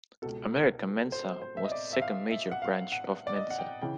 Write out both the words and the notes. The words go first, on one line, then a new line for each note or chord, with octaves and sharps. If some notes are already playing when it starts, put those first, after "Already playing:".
American Mensa was the second major branch of Mensa.
C#2 B2 A4
A#4
C5
C5
E5
D#5
D5
E5
F5
E5
F#5
F5
F#5
D5
D#5
F#5
G5
C#3 E3 G5